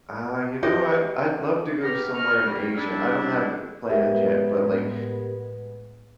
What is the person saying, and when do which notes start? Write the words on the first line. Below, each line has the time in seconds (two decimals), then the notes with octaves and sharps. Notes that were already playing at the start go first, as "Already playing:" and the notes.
Uh, you know what, I'd love to go somewhere in Asia. I don't have it planned yet, but like,
0.63 E4 F#4 G4 B4 D#5
1.82 B3 C4 G4 A#5 F6
2.14 D2 D#5 C#6 F6
2.45 G3 A#3
2.75 G3 D4 E4
3.90 A2 G#3 B3 G4 A#4 E5